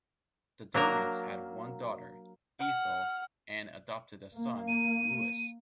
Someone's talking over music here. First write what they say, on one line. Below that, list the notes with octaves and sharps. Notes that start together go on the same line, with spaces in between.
The Durants had one daughter, Ethel, and adopted a son, Louis.
F#3 A#3 D4 A#4
F#5 F6
A#3
D#7